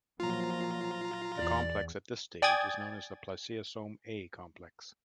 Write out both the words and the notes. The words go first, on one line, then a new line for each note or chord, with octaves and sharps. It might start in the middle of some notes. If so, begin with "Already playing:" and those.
The complex at this stage is known as the spliceosome A complex.
A#2 F3 F#3 F4 A#5
E2 D5
D5 G5 G#5 D#6 G#6 A6